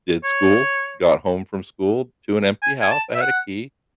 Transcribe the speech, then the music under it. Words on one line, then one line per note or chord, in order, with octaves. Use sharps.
did school, got home from school to an empty house. I had a key.
C#5
G#5
G#5
A5
E5
F#5